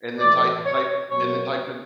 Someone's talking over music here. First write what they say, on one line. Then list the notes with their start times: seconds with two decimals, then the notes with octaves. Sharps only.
and then type type and then type in
0.20 A2 E3 A3 D5
0.66 C#5
1.11 B2 F#3 A#3 C#5